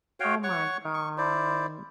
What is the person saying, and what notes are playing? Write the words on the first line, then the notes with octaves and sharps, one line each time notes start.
oh my god.
F#4 C#5 F5 G5
C#5 F#5 C#6
C#6
E4 C5 D5